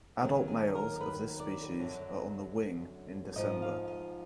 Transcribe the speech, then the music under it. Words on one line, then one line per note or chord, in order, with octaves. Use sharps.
Adult males of this species are on the wing in December.
D#2 D#3 F#3 G#4
G#4
A#4
B4
D5
F#2 D3 F#3
G#2 F3 D#5
F5
D#5